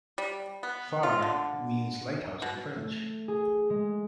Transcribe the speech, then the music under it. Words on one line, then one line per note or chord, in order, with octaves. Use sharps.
"Phare" means "lighthouse" in French.
G3
B3
F4
D3
B2
A3
G#4
G#3